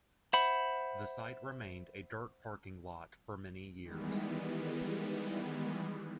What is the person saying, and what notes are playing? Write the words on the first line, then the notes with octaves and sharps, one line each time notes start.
The site remained a dirt parking lot for many years.
C5 E5 F#5 B5
D#3 E3 G3 G#3 B3